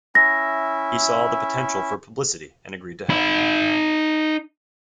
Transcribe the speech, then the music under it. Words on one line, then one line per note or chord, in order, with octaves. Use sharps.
He saw the potential for publicity and agreed to help.
C#4 E4 E5 A#6
D#4 B5